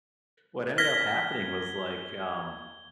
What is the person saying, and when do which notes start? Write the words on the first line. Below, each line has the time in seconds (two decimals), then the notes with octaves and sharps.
what ended up happening was like, um,
0.78 F6 G#6 A#6 B6 G7